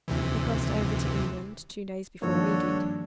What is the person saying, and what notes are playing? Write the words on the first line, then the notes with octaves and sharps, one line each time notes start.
He crossed over to England two days before we did.
D2 C3 E3
G2 D#3 F3 A#3 D4 F#4 A4 C#5